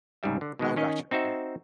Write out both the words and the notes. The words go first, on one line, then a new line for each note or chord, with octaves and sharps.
Oh, gotcha, okay.
C2 G#2 C#3 G3 E5
D3
B2 D#3 G#3 B3
D#3 C#4 D#5
C4 D#4 F#4 C5 E5